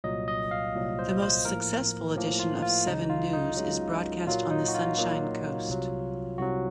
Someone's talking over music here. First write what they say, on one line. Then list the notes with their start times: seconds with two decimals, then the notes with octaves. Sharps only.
The most successful edition of "Seven News" is broadcast on the Sunshine Coast.
0.04 C2 A#2 F#3 D#5
0.28 D#5
0.51 F5
0.75 C2 A#2 F#3
0.99 C5
1.22 C5
1.45 A2 F3 A#3 A#4
2.16 A2 F3 A#3
2.39 F4
2.62 F4
2.86 C#2 C#3 F#3 D#4
3.10 F4
3.33 D#4
3.57 C#2 C#3 F#3
4.27 A#2 F#3 A#3 F4
4.51 D#4
4.68 F#4
4.74 F4
4.98 A#2 F#3 A#3
5.68 C2 C3 F#3
6.38 C2 C3 F#3 F#4